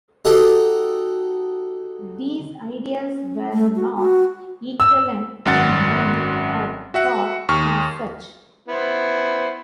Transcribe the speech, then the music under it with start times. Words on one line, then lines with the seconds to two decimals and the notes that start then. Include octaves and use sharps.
These ideas were not equivalent to mind or thought as such.
0.25 D#4 F#4 G4 A4
3.05 C#4
3.52 A3
3.76 F#4
3.97 F#4
4.80 E6
5.45 G#1 F#2 F#5 A6
6.94 F#4 E5 F#5
7.49 D#2 C#6 F6
8.68 B3 E4 C5